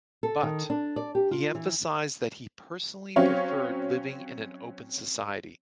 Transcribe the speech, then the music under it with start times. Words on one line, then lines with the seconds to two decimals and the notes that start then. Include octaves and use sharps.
But, he emphasized that he personally preferred living in an open society.
0.23 A4
0.43 D#3
0.70 D4
0.96 D5
1.15 G4
1.31 F4
1.55 E3
3.16 F#3 C4 C#4 C#5 F5